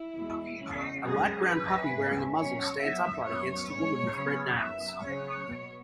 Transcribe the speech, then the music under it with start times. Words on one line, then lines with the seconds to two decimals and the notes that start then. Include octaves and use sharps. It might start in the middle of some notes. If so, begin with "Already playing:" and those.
A light brown puppy wearing a muzzle stands upright against a woman with red nails.
Already playing: E4
0.15 E2 B2 G#3 B3
0.60 E2 C#3 G#3 C#4
1.04 F#2 C#3 G#3 C#4 G#4
1.48 F#2 F#3 C#4 B4
1.93 G#2 G#3 B3
2.37 B2 F#3 C#4 C#5
2.82 F#2 F#3 B3 E5
3.26 F#2 F#3 B3 C#5
3.70 G#2 G#3 C#4 C#5
4.15 C#3 F#3 B3
4.59 F#2 F#3 B3 E5
5.03 C#3 F#3 C#4 C#5
5.48 B2 B3